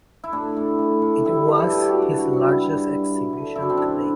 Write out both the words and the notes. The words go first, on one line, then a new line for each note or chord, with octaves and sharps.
It was his largest exhibition to date.
E4
A2 D4
A2
A2
A2
G3 E4
E3 B4
G4 A4
E3 G4
G4
F#4
F#2
D4
G3 F#4
F#4
G3
E4
G2
G3
F#3
D3
F#2 E4
D4
C4
D3 D4